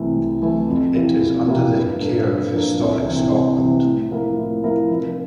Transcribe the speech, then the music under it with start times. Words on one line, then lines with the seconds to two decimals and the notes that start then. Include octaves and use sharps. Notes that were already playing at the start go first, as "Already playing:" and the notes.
It is under the care of Historic Scotland.
Already playing: C2 C3 E3 A3 E4
0.16 C2
0.42 C3 E3 A3 E4
0.69 F2
0.95 E3 A#3 E4 G4
1.21 F2
1.47 E3 A#3 E4 G4
1.74 G2
2.00 F3 A#3 D4 A4
2.27 G2
2.53 F3 A#3 D4 A4
2.79 C2
3.05 C3 E3
3.32 C2
3.58 C3 E3
3.85 A2
4.11 F3 A#3 E4 A#4
4.37 A2
4.64 F3 A#3 E4 A#4
4.90 F1